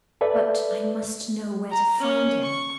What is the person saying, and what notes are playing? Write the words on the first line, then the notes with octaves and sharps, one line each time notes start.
But I must know where to find him.
A4 B4 D5 E5
A#5
C#4
C#6